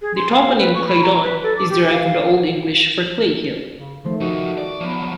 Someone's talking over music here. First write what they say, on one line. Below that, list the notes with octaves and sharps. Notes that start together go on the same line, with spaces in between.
The toponym "Claydon" is derived from the Old English for "clay hill".
G#4
C6
F5
B4
C#6
B5
A#5
B4
A4
D6
G4
F5
C#3
D#3 F3 A3
F3 D#4 F#4
D5
F3 F#3 B3